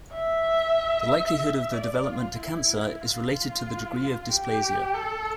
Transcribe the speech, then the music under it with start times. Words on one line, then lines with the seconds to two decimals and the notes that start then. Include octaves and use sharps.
The likelihood of the development to cancer is related to the degree of dysplasia.
0.12 E5
1.73 D5
2.05 F4
2.37 E4
3.01 F4
4.29 G4
4.94 A4